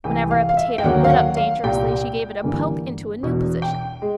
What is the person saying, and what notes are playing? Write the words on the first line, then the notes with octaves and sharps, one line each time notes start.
Whenever a potato lit up dangerously she gave it a poke into a new position.
C2 C3 E3 A3 G5
F5
F5
E5
G5
D#2 D3 F#3 A#3 F#5
F5
F#5
F5
C2 A#2 G3 G5
G1 G2 E3 G3 A#3
E1 E2 B2
G5
G#3